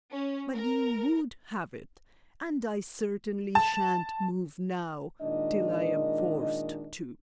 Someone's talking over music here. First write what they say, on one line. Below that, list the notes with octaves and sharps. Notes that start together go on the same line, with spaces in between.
But you WOULD have it, and I certainly sha'n't move now till I am forced to.'
C#4
A#4
A5
A#2 D#3 G#3 D4 D#5